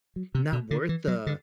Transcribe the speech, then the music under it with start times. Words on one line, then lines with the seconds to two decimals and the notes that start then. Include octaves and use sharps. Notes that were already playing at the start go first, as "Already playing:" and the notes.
not worth the
0.16 F#3
0.35 C3
0.53 B2
0.71 D3
0.89 E3
1.08 F#3
1.27 D3